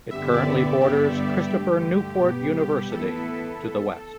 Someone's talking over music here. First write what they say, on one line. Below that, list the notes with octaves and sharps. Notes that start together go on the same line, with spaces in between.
It currently borders Christopher Newport University to the west.
G2 D3 B3 G4 E5
D5
G2 D3 G3 B3 G4
G2 D3 A3
B2 G3 B3
A2 E3 B3 E4 A4 B4